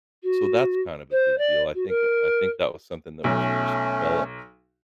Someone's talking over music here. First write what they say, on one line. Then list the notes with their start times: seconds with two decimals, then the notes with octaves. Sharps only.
so that's kind of a big deal. I think I think that was something that was just developed
0.23 F#4
1.11 C5
1.38 D5
1.74 F#4
1.88 A#4
3.24 B1 A3 C#4